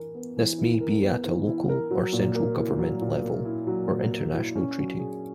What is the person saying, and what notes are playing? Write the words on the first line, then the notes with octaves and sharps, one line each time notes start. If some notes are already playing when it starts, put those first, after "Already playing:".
This may be at a local or central government level, or international treaty.
Already playing: E3 E4 A#4
B3
E3
E4
A#4
B3
E3
E4
A#4
F#3
A#2
A#3
E4
F#3
A#2
A#3
E4
F#3
A#2
A#3
E4
C#4
F#3
G#4